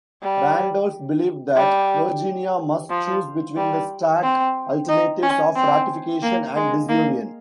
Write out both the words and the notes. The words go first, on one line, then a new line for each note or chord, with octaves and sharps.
Randolph believed that Virginia must choose between the stark alternatives of ratification and disunion.
G3
G3
F3
G3
C4
D#4
C#4
C4
A#3
G#3
A#3